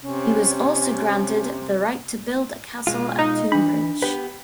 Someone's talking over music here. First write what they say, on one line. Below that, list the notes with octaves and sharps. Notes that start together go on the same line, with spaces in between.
He was also granted the right to build a castle at Tonbridge.
C3 C#4
B2 G#3 F4
D#4
E3 D4 B5
B3 G4 B4